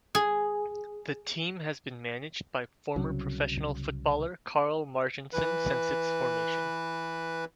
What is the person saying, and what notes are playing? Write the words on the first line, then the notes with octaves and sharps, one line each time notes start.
The team has been managed by former professional footballer Karl Marginson since its formation.
G#4
C2 C#3 F#3
E3 B4